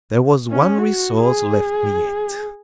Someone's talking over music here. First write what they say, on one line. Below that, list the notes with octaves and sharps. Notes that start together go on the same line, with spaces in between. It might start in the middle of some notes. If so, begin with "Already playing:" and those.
There was one resource left me yet.
C#4
F#4
G#4